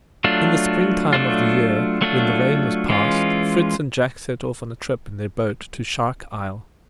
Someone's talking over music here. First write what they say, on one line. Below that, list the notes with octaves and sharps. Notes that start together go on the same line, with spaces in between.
IN the spring time of the year, when the rain was past, Fritz and Jack set off on a trip in their boat to Shark Isle.
F#3 A3 D4 F4
F#3 A3 D4 F4
F#3 A3 D4 F4
E3 G#3 C#4 F4